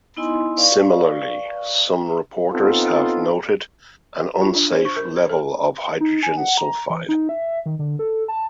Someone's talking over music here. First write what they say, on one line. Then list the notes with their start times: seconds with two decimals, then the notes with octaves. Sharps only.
Similarly some reporters have noted an unsafe level of hydrogen sulfide.
0.17 B3 D#4 E4 D#5 G#5 C6
0.57 B4 D5 F5 C#6
2.52 B3 C4 D#4 F4 A4
4.42 F4
4.55 D4
4.72 C5
4.85 C#6
4.96 A#4
5.16 C5
5.30 A4
6.00 D#4
6.23 G#5
6.37 F#5
6.58 A#5
6.90 E3
7.09 D#4
7.29 E5
7.66 D#3
7.79 D3
7.99 A4
8.28 A5